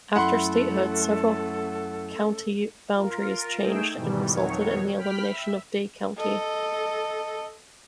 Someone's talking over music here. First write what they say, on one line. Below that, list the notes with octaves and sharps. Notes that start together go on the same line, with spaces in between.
After statehood, several county boundaries changed and resulted in the elimination of Day County.
F#2 A3 C#4 E4 A4 F#5 B5 C6
F4 A#4
A3 D#4 G#4 G5 E6
G#2 B2 D#3 E3 G3
F2 B2 D#3 F#3 C#5
G5 B5 F6 B6
E5
A4 D#5